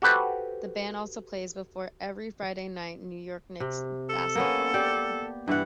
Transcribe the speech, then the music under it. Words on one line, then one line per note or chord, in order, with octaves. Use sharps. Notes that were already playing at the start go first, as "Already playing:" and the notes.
The band also plays before every Friday-night New York Knicks basketball game.
F#4 G4 A4 B4 C5
C3
A4
A#3 B3 C#4
G4 D5
G2 E3 F#5